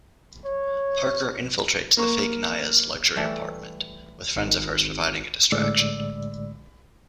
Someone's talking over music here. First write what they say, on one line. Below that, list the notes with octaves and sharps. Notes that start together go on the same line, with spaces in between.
Parker infiltrates the fake Naia's luxury apartment, with friends of hers providing a distraction.
C#5
A#3 A#4 C#6
E3 G3 A3
G#1
A2 D3 G#3 D5 E6